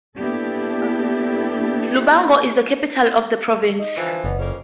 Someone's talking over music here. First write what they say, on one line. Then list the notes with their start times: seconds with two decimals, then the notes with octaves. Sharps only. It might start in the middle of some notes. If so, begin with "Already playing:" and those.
Lubango is the capital of the province.
0.19 A#3 B3 D4 E4 G4 A4
3.79 D#4
3.97 D3 E3 F3
4.24 F#1 B3
4.39 F2 C#3 A#3 C#4